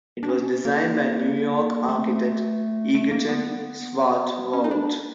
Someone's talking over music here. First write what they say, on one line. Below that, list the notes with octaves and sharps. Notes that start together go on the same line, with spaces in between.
It was designed by New York architect Egerton Swartwout.
D4
C#4
A#3
A3
A3
A#3
B3
C#4
D#4
D4